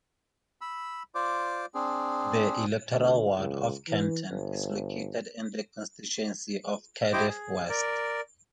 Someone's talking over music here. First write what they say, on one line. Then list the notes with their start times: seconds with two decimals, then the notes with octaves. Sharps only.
The electoral ward of Canton is located in the constituency of Cardiff West.
0.61 B5 E6
1.15 F4 C5 D5 D6
1.75 C4 D4 G#4
2.95 D2
3.38 C#2
3.89 E3
4.30 G1
7.13 E4 G4 C5 D#5 D6
7.28 G#4
7.69 A#4 D5